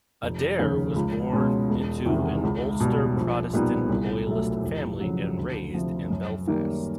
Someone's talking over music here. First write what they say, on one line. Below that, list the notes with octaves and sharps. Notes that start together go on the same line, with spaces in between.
Adair was born into an Ulster Protestant loyalist family and raised in Belfast.
F1
D#2 C#3 F3
C#2
B2 G#3 C#4
E1
E2 C3 D#3
C#2
B2 G3
A#1
A#2 G3 B3 D#4
C2
B2 F#3 A3
F1
F2 C#3 F#3
D2
C3 F3
F#2
D#3 G3 A#3 D#4